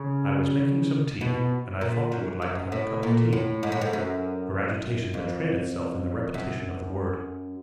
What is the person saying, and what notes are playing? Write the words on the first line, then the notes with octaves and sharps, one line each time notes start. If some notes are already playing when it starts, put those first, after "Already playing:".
"I was making some tea, and I thought you would like to have a cup of tea." Her agitation betrayed itself in the repetition of the word.
Already playing: C#3
B2
A#2
F#2
F#2
A2
A#2
A2
G#2
A2
G#2
F#2
F2
F#2